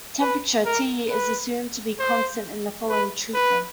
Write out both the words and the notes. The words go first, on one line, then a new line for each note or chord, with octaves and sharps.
Temperature, "T", is assumed to be constant in the following treatment.
B4
A#4
B4
C5
B4
B4